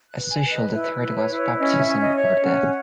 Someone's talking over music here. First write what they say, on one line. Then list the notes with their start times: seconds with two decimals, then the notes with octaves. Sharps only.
As usual the threat was baptism or death.
0.10 F#6
0.16 B4
0.31 G#5
0.44 B4
0.51 D#5
0.73 E4 E5
1.02 B4
1.15 C#5
1.29 E4
1.37 C#5
1.54 C#5
1.58 C#4 D#5
1.80 E5
1.87 C#4
2.01 D#5
2.15 C#5
2.22 E5
2.43 C#4 F#5